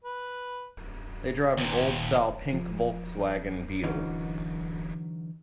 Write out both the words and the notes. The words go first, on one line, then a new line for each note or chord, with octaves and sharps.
They drive an old style pink Volkswagen Beetle.
B4
D#2 A#2
F3
D3 E3 F#3 C#4 D#4